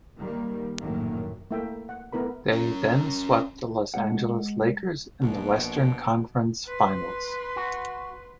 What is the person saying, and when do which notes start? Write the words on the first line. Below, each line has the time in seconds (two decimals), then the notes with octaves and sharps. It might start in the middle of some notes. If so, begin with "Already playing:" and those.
They then swept the Los Angeles Lakers in the Western Conference Finals.
0.17 D#3 G3 A#3
0.79 A#1 F#2 A2 D#3 A3 A#3
1.51 A3 A#3 E4 E5 G5
1.89 F#5
2.13 A3 B3 E4 A#4 B5
2.52 C#4 A#4
3.94 G#3 F#5
5.21 A#1 B2
6.66 B4 C6
7.56 F#4